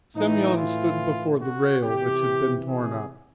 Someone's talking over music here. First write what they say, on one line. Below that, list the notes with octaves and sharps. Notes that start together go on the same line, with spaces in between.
Semyon stood before the rail which had been torn up.
A2 E3 D#4
F4
F#4
C3 E3 G4
G#4